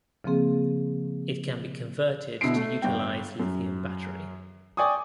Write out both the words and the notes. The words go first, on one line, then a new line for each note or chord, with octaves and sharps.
It can be converted to utilize lithium battery.
C#3 F3 A#3 C4 G#4
B2 D3 E4 E5 C7 D7
A3
G1 G5
F#2
D5 G5 G#5 C#6 D#6